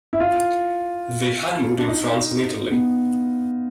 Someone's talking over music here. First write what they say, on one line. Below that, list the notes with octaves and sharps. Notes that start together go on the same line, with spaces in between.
They honeymooned in France and Italy.
E4
F4
D4
D#4
B3